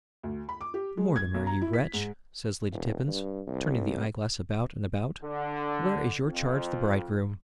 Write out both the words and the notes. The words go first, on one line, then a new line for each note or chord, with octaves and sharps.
'Mortimer, you wretch,' says Lady Tippins, turning the eyeglass about and about, 'where is your charge, the bridegroom?'
D2
B5
D6
G4
G#3
G#6
B1
A#5
E4
B6
G#2
E1
G2
C2
D3
F2